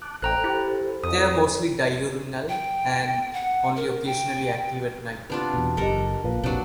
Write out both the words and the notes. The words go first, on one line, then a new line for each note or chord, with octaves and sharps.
They are mostly diurnal, and only occasionally active at night.
A5 D6 F#6
A1 A4 C5 G5 A#5 F#6
E4 G4
F2 D#6
G5
F#5
A#4
G5
C3 B3 D4 F4
E2 B2
F#1 F#3 G4 A4 A#4 D#5
A#1 F4 B4 F5
E1 A#1 C3 F#3 D4